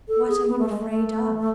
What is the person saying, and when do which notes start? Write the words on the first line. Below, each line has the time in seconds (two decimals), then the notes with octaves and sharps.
"What are you afraid of?"
0.08 A4
0.29 G#4
0.48 B3
0.59 A3
0.69 G#3
0.80 A3
0.90 A3